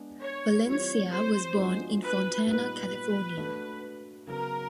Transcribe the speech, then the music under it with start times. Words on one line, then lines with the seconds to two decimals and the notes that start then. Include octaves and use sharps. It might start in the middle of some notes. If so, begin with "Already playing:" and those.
Valencia was born in Fontana, California.
Already playing: G#3 B3 D4
0.21 C#5
0.66 E3 G3 C4 F4 C#5
1.11 C5
1.56 F3 G#3 B3 D4 F#4
2.01 B4
2.47 A#2 G3 B3 D#4 B4
3.37 A3 D4 F#4
4.27 C#3 F#3 B3 A#4